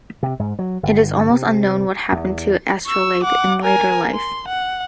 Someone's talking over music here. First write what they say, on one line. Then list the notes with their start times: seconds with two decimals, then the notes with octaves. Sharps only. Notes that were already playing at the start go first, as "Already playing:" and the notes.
It is almost unknown what happened to Astrolabe in later life.
0.23 C3
0.39 G#2
0.59 F#3
0.83 G1
1.29 C3
2.12 E2
2.87 C#6 E6
3.23 F#5 D6
3.62 A#4 G#5
4.14 C6
4.48 F#5